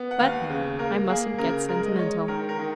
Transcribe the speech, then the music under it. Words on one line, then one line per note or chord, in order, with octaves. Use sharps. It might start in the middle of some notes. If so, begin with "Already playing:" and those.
But there, I mustn't get sentimental.
Already playing: B3
F#5
D#2 F5
C#3
A#3 A#4
A#3 G#4
C#3 A#4
G#3 A#4
D#5
G#3 C#5
D#3 A#4
A#4
D#3